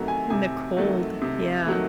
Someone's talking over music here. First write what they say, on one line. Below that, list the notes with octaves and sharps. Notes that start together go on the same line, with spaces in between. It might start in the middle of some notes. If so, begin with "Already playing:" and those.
In the cold, yeah.
Already playing: C3 D#3 F#3 A3 A#5
G#5
C3 G#5
D#3 F#3 A3
C3
D#3 F#3 A3